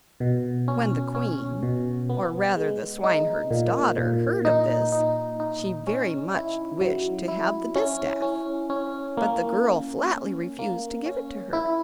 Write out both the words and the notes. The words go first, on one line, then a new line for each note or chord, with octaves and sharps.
When the queen--or, rather, the swineherd's daughter--heard of this, she very much wished to have the distaff, but the girl flatly refused to give it to her.
B2
C#4
C#4
B2
B3
G#3
D#4
A#2
A#2
D#4
D#4
D#4
C#4
E4
F#3
E4
C#4
C#4
C#4
A#3
A#3
C#4
A#3
C#4
E4